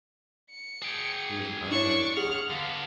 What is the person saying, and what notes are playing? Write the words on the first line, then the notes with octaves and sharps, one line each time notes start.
He was an unknown quantity.
C#7
G#4 G5
D4 E4 C#5 C#6
G#4 F#5 F6
D3 B3 F5